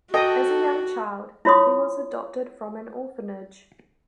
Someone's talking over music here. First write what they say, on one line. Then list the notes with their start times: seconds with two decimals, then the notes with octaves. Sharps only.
As a young child, he was adopted from an orphanage.
0.14 F#4 A4 D#5 G5 D#6
1.45 E4 F4 C#5 C6 D#6